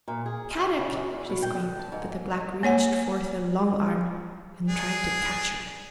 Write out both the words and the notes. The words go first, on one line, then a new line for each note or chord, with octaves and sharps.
"Kadok!" she screamed, but the Black reached forth a long arm and tried to catch her.
A#2
G#4
F#2
C#3
F#2
E2
B2
G5
D3
A5
G#2
A#3 C#5 F#5 G#5
D4 G#4